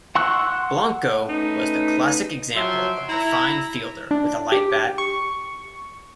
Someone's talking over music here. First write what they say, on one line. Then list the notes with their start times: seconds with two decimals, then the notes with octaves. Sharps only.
Blanco was the classic example of the fine fielder with a light bat.
0.15 F#5 C6 C#6 E6 F#6
1.27 A3 C#4 D#4 B4
2.55 F3 F#3 F4 E5 G5 C6
3.08 E4 A#5
4.11 D4
4.52 G4
4.98 C#6